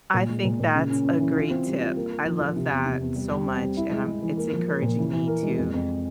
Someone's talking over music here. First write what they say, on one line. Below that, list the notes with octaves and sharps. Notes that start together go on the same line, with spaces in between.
I think that's a great tip. I love that so much, and I'm it's encouraging me to
A#2
G#3
A#2
A#2
C#3
C#4
C#4
E3
F4
C4
G3
F4
A#3
A#4
F3
F3
C3
E2
C3
E2
G3
G3
C4
G3
E4
G#3
G#3
E3
A#3
F3
A#3
A#2
E3
E3
A#4
G#3
F2
F2